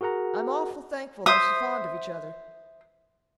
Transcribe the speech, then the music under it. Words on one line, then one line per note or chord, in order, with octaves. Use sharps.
I'm awful thankful they're so fond of each other.
F#4 G#4 A#4 F#5 A#5
C5 E5 D#6